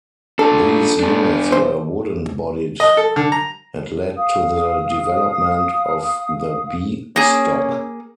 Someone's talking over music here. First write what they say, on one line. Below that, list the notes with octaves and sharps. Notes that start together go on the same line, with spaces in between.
These units were wooden-bodied and led to the development of the B Stock.
D4 F4 A4
B3 D4
B1 C5
D#5
A4
D3
A#5
F5 D#6
A#3 C#4 G#4